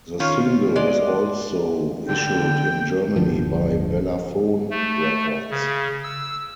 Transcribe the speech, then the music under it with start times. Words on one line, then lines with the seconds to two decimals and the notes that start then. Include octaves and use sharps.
The single was also issued in Germany by Bellaphon Records.
0.20 D#3 C#4 F4 C#5
0.76 G#3 D5 D#5
2.08 D3 G5
3.16 D1 G2 D3 F3
4.71 A3
5.50 C#3
6.04 E6